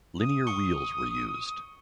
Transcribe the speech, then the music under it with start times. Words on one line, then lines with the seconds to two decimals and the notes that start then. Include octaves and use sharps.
Linear wheels were used.
0.19 D#6
0.47 C#6 C#7 G7